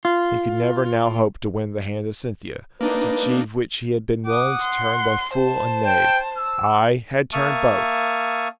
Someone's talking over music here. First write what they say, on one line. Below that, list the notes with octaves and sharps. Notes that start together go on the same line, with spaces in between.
He could never now hope to win the hand of Cynthia, to achieve which he had been willing to turn both fool and knave--aye, had turned both.
F4
A#3 D4 D#4 B4
F#5 D6 D#6
C6
C5 A5
G5
E6
A#3 E5 A5 C#6 D#6 F6